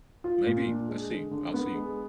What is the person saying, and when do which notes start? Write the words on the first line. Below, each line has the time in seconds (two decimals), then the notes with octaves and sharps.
Maybe, let's see, I'll see,
0.24 F4
0.47 A#2
0.68 D4
0.89 G#3
1.10 D3
1.31 D3
1.54 B3
1.74 G#3